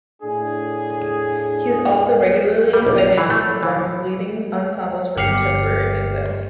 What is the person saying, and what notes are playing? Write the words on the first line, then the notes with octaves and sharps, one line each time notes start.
He is also regularly invited to perform with leading ensembles for contemporary music.
A2 D4 G#4
G3
A#1
A#5
E3
A3
E3
G1 G4 F6 C7 C#7